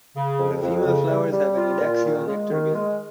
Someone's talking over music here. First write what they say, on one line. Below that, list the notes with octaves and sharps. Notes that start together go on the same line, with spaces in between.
The female flowers have an adaxial nectar gland.
C#3
F2
F2
C#3
G3
G3
F4
A#2
D#3
G#3
D#3
G#3